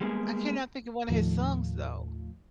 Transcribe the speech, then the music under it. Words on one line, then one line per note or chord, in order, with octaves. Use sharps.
I cannot think of one of his songs though.
G3 G#3 A#3 B3 G#4
D#2 A2 D#3 F3 A3